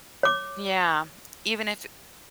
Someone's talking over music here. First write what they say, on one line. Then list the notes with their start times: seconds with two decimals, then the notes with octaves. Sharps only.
Yeah, even if
0.23 C#5 D6